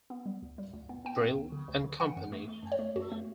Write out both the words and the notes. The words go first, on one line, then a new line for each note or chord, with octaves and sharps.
Brill and Company.
B3
G3
D2
G3
D2
B3
B3 G5
B3
D2
D3
D2
D3
E3 F#5
F#2
A3
A3
F#2
C#5
A3
F#2 F#4
A3